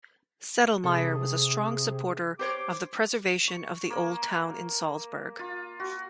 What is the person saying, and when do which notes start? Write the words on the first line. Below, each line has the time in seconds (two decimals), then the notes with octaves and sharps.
Sedlmayr was a strong supporter of the preservation of the old town in Salzburg.
0.84 C3 G#4 A4
2.39 G4 C5 C#5 D6
3.48 C#6
3.90 A#3
5.39 F4
5.80 F#4